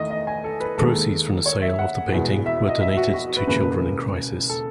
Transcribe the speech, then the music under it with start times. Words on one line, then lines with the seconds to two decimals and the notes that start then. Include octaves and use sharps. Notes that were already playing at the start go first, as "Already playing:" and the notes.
Proceeds from the sale of the painting were donated to Children in Crisis.
Already playing: E2 D#3 A3 D#5
0.11 D#5
0.27 G#5
0.44 A4
0.60 B4
0.78 D#2 D#3 G#3 A4
1.46 C#5
1.62 E5
1.79 F#5
2.12 E2 B2 G#3
2.46 E5
2.57 E5
2.69 D#5
2.81 E5
2.97 F#4
3.14 F#4
3.37 B4
3.47 E1 D#2 C#3 B4
4.49 A4